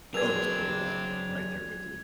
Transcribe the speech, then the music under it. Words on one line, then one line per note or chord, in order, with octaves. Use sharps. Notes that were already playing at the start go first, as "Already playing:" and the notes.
Oh, so do I, right there with you.
F#3 C4 D4 G#4 A#4 B4 G#6 F7